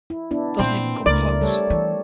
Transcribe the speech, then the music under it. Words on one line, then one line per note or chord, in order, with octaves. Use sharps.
Doesn't even come close...
E4
B3 D4 E4
A#2 C4
C#2 A3 A#4 D5
G3 A4 C#5
E3